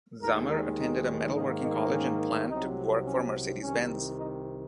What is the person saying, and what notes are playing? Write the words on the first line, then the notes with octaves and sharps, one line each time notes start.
Zammar attended a metalworking college and planned to work for Mercedes-Benz.
D#2 D#3 G#3 A#4
A#4
D#4
G#2 D#3 A#3 D#4
D#4
C#4
C2 C3 F#3 D#4
C#4
C2 C3 D#3 C#4
D#4